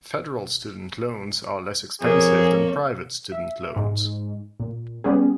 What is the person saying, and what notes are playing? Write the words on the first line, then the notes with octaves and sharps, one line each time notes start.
Federal student loans are less expensive than private student loans.
F2 A#3 G#4 C#5
E5
G#2
A#2
G3 B3 C#4 G#4